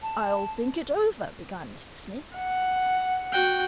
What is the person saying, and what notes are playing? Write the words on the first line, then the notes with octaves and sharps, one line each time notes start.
'I'll think it over--' began Mr Smith.
A5
F#5
F#4 G5